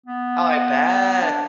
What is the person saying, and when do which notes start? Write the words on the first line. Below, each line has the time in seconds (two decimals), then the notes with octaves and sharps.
I bet!
0.06 B3
1.22 D4